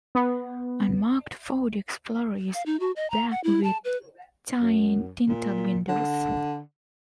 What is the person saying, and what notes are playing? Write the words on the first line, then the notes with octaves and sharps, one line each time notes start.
Unmarked Ford Explorer is black with tinted windows.
B3
F5
D#4
F#4
D#5
A#5
F#5
E4
A5
B4
F#2
A#2
D3